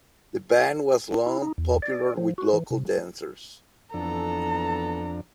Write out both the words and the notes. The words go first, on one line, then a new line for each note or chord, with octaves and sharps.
The band was long popular with local dancers.
E4
D#4
E2
D5
F3
F#4
E3
C3
F2 E3 B3 D4 A4 A#5